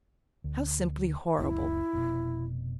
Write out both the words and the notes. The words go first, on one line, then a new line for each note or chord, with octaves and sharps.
'How simply horrible!'
D2
F#1 C#2 E4
F1 B2